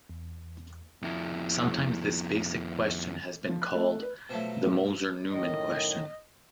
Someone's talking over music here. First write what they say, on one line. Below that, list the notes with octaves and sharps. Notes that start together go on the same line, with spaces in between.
Sometimes this basic question has been called "the Moser-Neumann question".
E2
F2 E4
F3
F#6
A3
B4
B2 F3 F#3 A3
F#2 A2 D#3 D#5